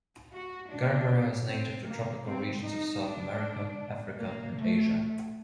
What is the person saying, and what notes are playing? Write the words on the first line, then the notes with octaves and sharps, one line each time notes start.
"Gerbera" is native to tropical regions of South America, Africa and Asia.
F#4
D4
C4
A#3
C4
D#4
D4
A#3
A3